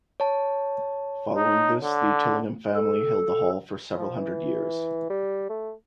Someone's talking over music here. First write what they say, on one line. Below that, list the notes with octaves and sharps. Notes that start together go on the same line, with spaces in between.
Following this the Tillingham family held the hall for several hundred years.
C#5 A5
D#4
D3
A4
F3
E3
G3
A3